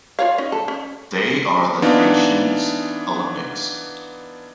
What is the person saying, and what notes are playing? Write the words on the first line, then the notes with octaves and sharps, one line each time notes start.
They are the nation's Olympics.
F4 C#5 F5
C#4 D#4
A4
C#4
E3 B3 D4 D#4 F4